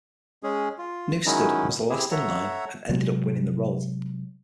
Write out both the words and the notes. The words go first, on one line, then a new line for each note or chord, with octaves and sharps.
Newsted was the last in line and ended up winning the role.
G#3 C#4 G#4
F4
D#3 F#3 G#3 C#4 D#4 E4
C4 E4 G4 G#4
A4 C#5 E5 F#5 A#5
C3 F#3 G#3